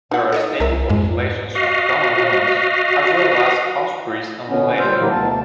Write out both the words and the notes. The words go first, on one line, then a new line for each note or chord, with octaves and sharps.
There are stable populations of Common Loons as well as Ospreys on the lake.
D#4 F#5
A4 C#5 D#5
C2 A#4 E5
F2 G#2 G#3
F#4 D#5 F5
B2 D3 B3 C#4
A#2 G3 C5 E6 F6 G6
A2 D3 E3 F#3 G3 A#3
D2 B2 A5